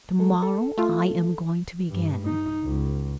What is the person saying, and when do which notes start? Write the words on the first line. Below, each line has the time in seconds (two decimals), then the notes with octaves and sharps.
To-morrow I am going to begin.
0.19 F#3 G#3 A4
0.43 A4
0.77 A3 F4
1.90 G2
2.25 D#4
2.64 C#2